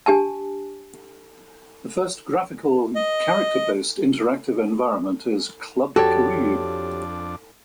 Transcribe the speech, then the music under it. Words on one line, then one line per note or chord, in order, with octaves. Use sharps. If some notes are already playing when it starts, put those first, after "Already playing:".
The first graphical character-based interactive environment is "Club Caribe".
D4 G4 G#5 A5
D#5
F2 D4 F#4 G4 A4 C#5